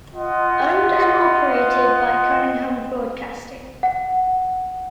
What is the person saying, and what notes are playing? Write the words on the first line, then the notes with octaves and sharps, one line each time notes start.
Owned and operated by Cunningham Broadcasting.
F4 D#5 F#5
F#5